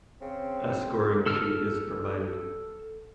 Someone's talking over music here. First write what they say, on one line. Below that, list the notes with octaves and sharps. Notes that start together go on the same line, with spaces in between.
A scoring sheet is provided.
C#3 C4
A4 E6 F6